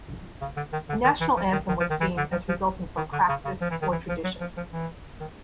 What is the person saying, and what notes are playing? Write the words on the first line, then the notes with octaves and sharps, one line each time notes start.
A national anthem was seen as resulting from praxis or tradition.
C#3
D3
D#3
D3
D#3
E3
F3
D#3
D#3
F3
D#3
E3
D3
F3
F3
D#3
D3
C#3
C#3
F3
E3
D#3
E3
F3
F#3
F3
F3
E3
D#3